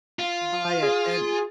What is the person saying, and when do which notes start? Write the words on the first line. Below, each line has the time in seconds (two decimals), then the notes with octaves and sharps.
By a an
0.19 F4
0.83 G#4